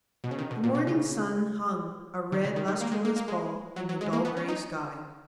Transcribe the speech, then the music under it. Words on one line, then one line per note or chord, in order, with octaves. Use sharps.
The morning sun hung, a red, lustreless ball, in the dull grey sky.
B2
C#3
D#3
B2
A#2
B2
C#3
D#3
C#3
D#3
D#3
A#3
G#3
A#3
A#3
G#3
F#3
F#3
G#3
A#3
B3
C#4
D#4